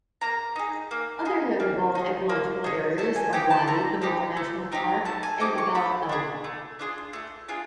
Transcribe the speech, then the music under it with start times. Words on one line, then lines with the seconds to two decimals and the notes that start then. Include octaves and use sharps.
Other notable ecological areas are Wadi Gamal National Park and Gebel Elba.
0.21 A#3 A#5
0.56 D#4 G#4
0.91 A#3
1.25 D#4 G#4
1.60 A#3
1.95 D#4 G#4
2.29 A#3
2.64 D#4 G#4
2.98 A3 A5
3.16 G#5
3.33 C4 D#4 G4 G5
3.50 A5
3.67 A3 A#5
4.02 C4 D#4 G4
4.37 A3
4.72 C4 D#4 G4
5.05 A3 A5
5.23 G#5
5.40 C4 D#4 G4 D6
5.58 C#6
5.75 A3 B5
6.09 D4 F4 G#4
6.44 A3
6.79 D4 F4 G#4
7.13 A3
7.48 D4 F4 G#4